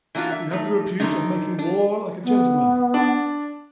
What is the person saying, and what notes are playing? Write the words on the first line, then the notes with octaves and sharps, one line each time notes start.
"You have the repute of making war like a gentleman."
E3 A#3 D4 F4 F#4
E5
A3 D#4
F#2 A#2 D3 D#3 D4 D#4
D4
B3
D4